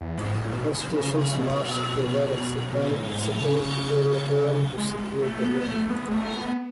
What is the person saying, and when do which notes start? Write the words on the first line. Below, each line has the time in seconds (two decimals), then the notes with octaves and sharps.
Institutions must provide acceptable collateral to secure the loan.
0.01 E2
0.18 G#2
0.35 A2
0.52 B2
0.91 C#3
1.14 C#3
1.37 B2
2.73 B2
2.90 A2
3.07 G#2
3.23 A2
3.41 C#3
4.77 G#3
5.22 A3
5.45 B3
5.67 A3
5.90 B3
6.08 G#3
6.13 A3
6.36 B3